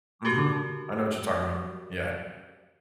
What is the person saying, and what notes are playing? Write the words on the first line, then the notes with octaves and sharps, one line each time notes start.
Mhm. I know what you're talking about. Yeah.
F#4 G4 A#4